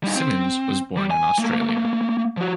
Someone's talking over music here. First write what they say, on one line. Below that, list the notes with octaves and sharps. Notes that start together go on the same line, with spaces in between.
Simmons was born in Australia.
G3 D#4
C4
G3
G#5
A3 A#3
F3 F#4